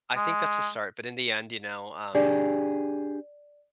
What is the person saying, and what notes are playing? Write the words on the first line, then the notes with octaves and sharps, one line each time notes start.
I think that's a start, but in the end, you know, um,
G#3
D4 G4 G#4 D5